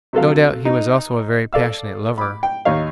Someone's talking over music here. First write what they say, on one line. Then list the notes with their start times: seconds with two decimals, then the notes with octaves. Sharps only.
No doubt he was also a very passionate lover.
0.13 C3 F#3 A4 F5
0.65 D#4
1.53 A4 D5 F5 E6
2.18 B5 D6
2.43 G5
2.65 D#2 D#4 C#5 F5